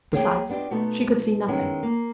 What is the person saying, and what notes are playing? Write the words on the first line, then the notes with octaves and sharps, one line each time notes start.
Besides, she could see nothing.
A#3 G#4 C#5 F5 G5
B3 D4 F4 G4 D#5
B2 A3 B3 D#4 F4 A4
D#3 G#3 B3 C#4 E4
A#3